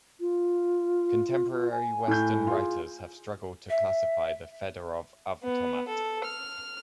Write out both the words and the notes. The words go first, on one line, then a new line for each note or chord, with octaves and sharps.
Contemporary Western writers have struggled to classify the Fedorov Avtomat.
F4
G#5
A2 G6
F4 G#4
E5
B3
A4
F6